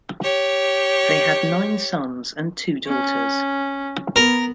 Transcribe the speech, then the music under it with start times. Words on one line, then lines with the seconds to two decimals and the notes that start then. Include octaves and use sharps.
They had nine sons and two daughters.
0.22 G4 C#5
2.86 C#4
4.16 B3 A#4